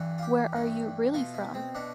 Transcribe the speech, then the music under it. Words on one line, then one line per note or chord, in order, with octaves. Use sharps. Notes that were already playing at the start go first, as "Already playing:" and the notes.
Where Are You Really From?
Already playing: G2 E3 A3
F4
G4
G2 E3 A3
B2 A3 F4
E4
C4
B2 A3 D4